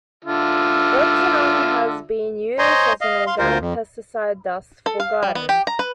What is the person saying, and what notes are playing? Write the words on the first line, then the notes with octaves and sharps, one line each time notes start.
Rotenone has been used as an organic pesticide dust for gardens.
D3 F4 E5
C5 C#5 D#5 G#5 A#5 C6
D#5 F5
F5 C6
D2 F4 A#4 C5
F2
A4
F5
G3
B3
G4
A#5
B4